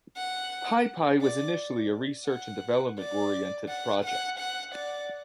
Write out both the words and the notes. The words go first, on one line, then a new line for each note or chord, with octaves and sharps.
PyPy was initially a research and development-oriented project.
F#5
D5
F#5
D5
F#5
F#5
F#5
D5